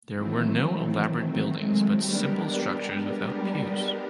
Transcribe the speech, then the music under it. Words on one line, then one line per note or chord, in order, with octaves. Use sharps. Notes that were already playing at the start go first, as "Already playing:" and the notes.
These were no elaborate buildings but simple structures without pews.
D#3 E3 F#3 A3 C4
E3
G#3
G3 G#3 B3 D4 G4 A#4
G3
G3